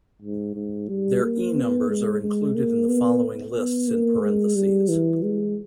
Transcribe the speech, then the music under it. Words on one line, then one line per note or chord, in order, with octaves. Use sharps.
Their E numbers are included in the following lists in parentheses.
G#2
G#2
G3
A#3
B3
G#3
G#3
A#3
B3
B3
A#3
G#3
G3
E3
G#3